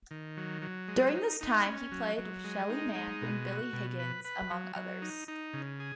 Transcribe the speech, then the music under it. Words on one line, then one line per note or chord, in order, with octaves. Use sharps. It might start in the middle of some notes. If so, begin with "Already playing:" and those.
During this time he played with Shelly Manne and Billy Higgins, among others.
D#3
F#3
F#3
G#3
D#4
D#4
C#4
F#3
F#3
G#3
D#4
G#3
B2
F#4
B2
B4
B4
F#3
F#3
D#4
D#4
C#3
G#4